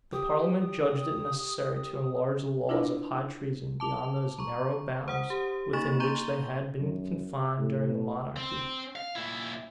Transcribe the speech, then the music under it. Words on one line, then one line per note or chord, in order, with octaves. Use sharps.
The parliament judged it necessary to enlarge the laws of high treason beyond those narrow bounds within which they had been confined during the monarchy.
G4 D#6
D4 E4 F4 A#4 B4
A5 D6 F7
A#5 C#6
C5 F#5 D#6
G4
A#3 D#4 F#4 C#6 A6 E7
A#5 C6 C#6 G6 D#7 G7
F#2
A2
C4
F5
A#2 E4